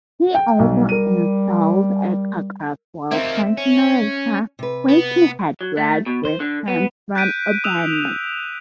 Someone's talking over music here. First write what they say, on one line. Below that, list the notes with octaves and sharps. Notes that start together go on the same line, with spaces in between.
He also installed a Cockcroft-Walton generator, which he had brought with him from Urbana.
G5
B1 G3
A#4 D#7
A#3 C4 D#4 E5
C#4
C3 B4
B3
F#3
A3
B2
C5
D3
B3
F#6 G6 B6 D7 D#7
D#6 E6 F#6 E7 F7